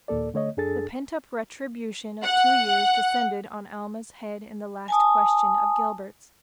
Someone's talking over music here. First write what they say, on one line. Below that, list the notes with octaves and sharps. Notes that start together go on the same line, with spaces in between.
The pent-up retribution of two years descended on Alma's head in the last question of Gilbert's.
D#2 A#2 A#3 A4 D5
D3 A3 C#5 D#5
F#2 D4 G#4 A4 A6
F#5
G#5 A5 D#6